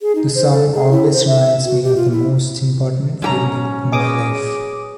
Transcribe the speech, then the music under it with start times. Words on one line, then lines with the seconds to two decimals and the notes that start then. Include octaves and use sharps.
This song always reminds me of the most important evening in my life.
0.01 G#4
0.15 D#4
0.35 C5
0.52 A4
0.74 G#4
0.91 E4
1.13 C5
1.27 E5
1.65 F#4
1.83 G4
1.96 F4
2.12 E4
3.22 G#2 F#3 C#4 G4 A#5
3.92 G#4 B4 C#5 D#5 D6 D#6